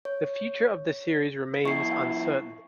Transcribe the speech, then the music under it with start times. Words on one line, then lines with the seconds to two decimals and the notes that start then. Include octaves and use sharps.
The future of the series remains uncertain.
0.05 C#5
1.65 F2 E4 C#6 C7